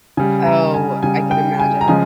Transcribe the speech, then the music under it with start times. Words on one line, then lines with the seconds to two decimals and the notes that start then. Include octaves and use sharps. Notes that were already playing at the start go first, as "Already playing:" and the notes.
Oh, I can imagine.
0.17 C#3 G3 G#5
0.46 A#5
0.74 G#5
1.03 C#3 G3 G#5
1.31 G5
1.59 G#5
1.81 A#5
1.88 C#3 F3 G#3 G#5